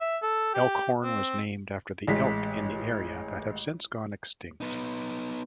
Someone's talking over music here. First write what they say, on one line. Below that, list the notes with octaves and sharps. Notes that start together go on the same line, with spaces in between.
Elkhorn was named after the elk in the area that have since gone extinct.
E5
A4
G4
C4
A1 G#3 B6
B3 D#4